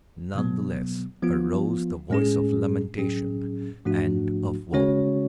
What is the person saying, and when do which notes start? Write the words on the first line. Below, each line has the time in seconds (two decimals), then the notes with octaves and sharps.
None the less arose the voice of lamentation and of woe.
0.35 B2 F#3 B3
1.22 F3 B3 F4
2.10 A2 G#3 C#4 G#4
2.98 A2 F#3 C#4 G#4
3.85 G#2 F3 A3 D4 F#4
4.73 C#3 G#3 C#4 F#4 C#5